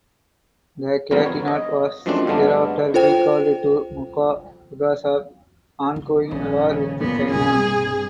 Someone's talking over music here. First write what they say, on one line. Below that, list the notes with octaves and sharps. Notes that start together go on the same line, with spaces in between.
The "Catinat" was thereafter recalled to Macau because of the ongoing war with China.
G#1 F2 D3 G3 B3 A#4
C#5
D#5
F#2 F3 G#3 A3 C4 D4
G2 D3 G#3 A3 B3 D4
F4 A4 C5 G5
C#3 E4
D#1 A#1 C#3
F#2 A#2 E3 B3
F1 B1 G2 G3 C4 G#4